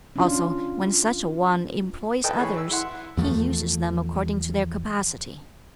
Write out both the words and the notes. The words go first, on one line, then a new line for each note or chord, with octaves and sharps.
Also, when such a one employs others, he uses them according to their capacity.
C#4 D4 F4
A4 B4 D#5 G5 A5
E3 G#4 C#5 B5
E6
E4 F#5 C6
E2 F3 G3 A3